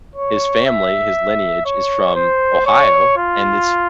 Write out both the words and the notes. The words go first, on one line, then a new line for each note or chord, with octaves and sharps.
his family, his lineage is from Ohio, and it's
C#5
E5
C#5
C5
C#5
F4